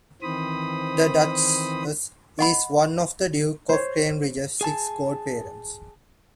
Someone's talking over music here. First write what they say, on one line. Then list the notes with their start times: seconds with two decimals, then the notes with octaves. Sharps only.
The Duchess is one of the Duke of Cambridge's six godparents.
0.22 D#3 E3 C4 C5 B5 D#6
2.39 D#5 F#5 B5
3.69 C5 C#5
4.61 G#4 G#5 A5